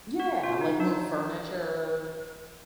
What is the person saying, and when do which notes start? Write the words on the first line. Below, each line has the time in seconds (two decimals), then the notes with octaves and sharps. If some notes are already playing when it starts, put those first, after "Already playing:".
Yeah, like move furniture,
0.20 F#4
0.43 F4
0.61 D#4
0.80 D4